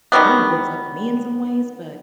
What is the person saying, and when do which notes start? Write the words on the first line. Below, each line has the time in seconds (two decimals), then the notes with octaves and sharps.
kind of looks up to me in some ways, but
0.12 D#3 F#3 G3 B3